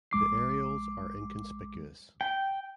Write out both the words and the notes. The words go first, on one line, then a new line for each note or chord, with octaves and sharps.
The areoles are inconspicuous.
A#1 G#3 D6 C7
G5